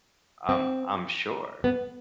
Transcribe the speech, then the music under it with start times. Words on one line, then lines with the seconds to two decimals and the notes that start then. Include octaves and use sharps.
I'm I'm sure.
0.49 C4
1.64 B3